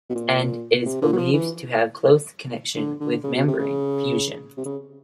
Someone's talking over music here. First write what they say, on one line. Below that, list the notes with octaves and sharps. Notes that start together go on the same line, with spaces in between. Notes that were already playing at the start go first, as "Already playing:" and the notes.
And it is believed to have a close connection with membrane fusion.
B2
A#2
C3
D3
F#3
F3
E3
D3
D3
C#3
B2
C3
C#3
C3
C#3